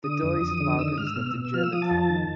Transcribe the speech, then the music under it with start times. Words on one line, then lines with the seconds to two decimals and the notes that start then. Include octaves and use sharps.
The Dyes and Logans lived in Germantown.
0.04 D3 D#6
0.23 F2
0.41 F2
0.60 D3
0.78 D#3 E6
0.88 D#6
0.97 G#2 F6
1.07 E6
1.16 B2 F6
1.26 E6
1.35 B2
1.45 E6
1.54 F3 F6
1.64 E6
1.72 F3 D#6
1.82 A5
1.91 F2
2.10 D#3